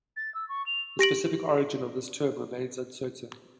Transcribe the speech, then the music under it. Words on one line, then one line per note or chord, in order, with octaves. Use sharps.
The specific origin of this term remains uncertain.
A6
E6
C#6
F7
G4 A#6 D7 F#7